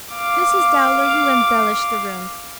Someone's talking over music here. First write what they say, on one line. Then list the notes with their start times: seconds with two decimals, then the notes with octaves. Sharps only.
Mrs. Dowler, you embellish the rooms.
0.13 F5 D6